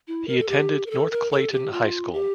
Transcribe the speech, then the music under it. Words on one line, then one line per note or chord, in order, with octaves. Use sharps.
He attended North Clayton High School.
E4
A#4
A4
G4
A#4
A4
A#4
A4
G4
F4
G4